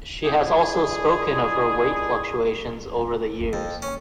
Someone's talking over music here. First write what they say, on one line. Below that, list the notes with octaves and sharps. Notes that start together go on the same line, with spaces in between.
She has also spoken of her weight fluctuations over the years.
G#3 A3 C4 E4 G4 G#4
G#3 D4 E4 F4 G#4
F#1 A3
F2 A#3
C#4